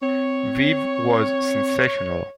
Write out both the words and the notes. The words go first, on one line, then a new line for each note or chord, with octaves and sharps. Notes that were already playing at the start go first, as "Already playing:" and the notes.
Viv was sensational.
C4 C#5